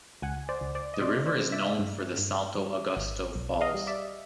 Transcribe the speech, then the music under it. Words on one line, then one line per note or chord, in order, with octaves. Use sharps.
The river is known for the Salto Augusto Falls.
C#2 F#5 G#5
C5 D5
C#2
C5 D5
D#5
C3 C5 D5
C5 D5
C3
D5 E5
G2
G2
G3
G#1
B1
D#5 F5
G3
D5 E5